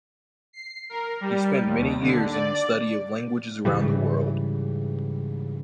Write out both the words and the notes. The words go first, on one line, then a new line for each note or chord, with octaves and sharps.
He spent many years in study of languages around the world.
C7
A#4
G3
D#2
D3
D5
G#2 C#3 E3 G3